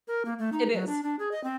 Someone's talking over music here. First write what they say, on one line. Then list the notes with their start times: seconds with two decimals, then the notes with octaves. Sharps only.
It is.
0.08 A#4
0.25 A#3
0.39 A3
0.52 D#4
0.73 F#3
0.87 D4
1.03 D4
1.19 G#4
1.32 D#5
1.44 C4